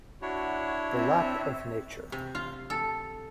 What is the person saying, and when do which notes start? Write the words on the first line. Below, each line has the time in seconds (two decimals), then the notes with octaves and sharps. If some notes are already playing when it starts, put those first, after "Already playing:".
The lap of Nature!
0.22 D4 E4 F#4 C#5
0.90 C4 E5
2.12 C3
2.35 F4
2.70 A4